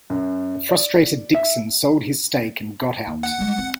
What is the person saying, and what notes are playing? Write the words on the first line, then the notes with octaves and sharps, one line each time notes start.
A frustrated Dixon sold his stake and got out.
F#2
D5
E5
D#2
F#5
G3 G#3
C4